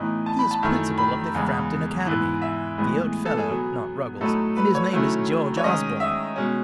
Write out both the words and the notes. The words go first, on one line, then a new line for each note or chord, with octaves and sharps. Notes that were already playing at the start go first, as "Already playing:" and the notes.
He is principal of the Frampton Academy--the Old Fellow, not Ruggles--and his name is George Osborne.
Already playing: A2 E3 B3 D#4
A5
B5
A5
F#2 D#3 A3 E4
B5
E2 C#3 G#3
G#2 E3 B3 E4
E5
A2 E3 G#3 B3
A4
G#4
B2 F#3 B3 G#4
A2 F#3 A3 D#4 A4
B4
C#5
D#3 F#3 A3 C#4 E4
C#5
D#3 G#3 C#4 D#5
E5
B2 G#3 C#4